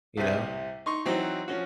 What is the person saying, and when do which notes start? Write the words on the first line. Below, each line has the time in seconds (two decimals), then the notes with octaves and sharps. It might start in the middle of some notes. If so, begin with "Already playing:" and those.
you know,
0.17 C2 C3
0.86 D#4 C6 C#6
1.05 E3 F#3 C4 D#4 F#4
1.48 F3 C#4 F#4